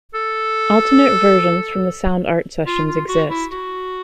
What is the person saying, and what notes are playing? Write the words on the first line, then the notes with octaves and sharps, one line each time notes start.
Alternate versions from the Sound Art sessions exist.
A4
F4
F4
F#4
E4
F#4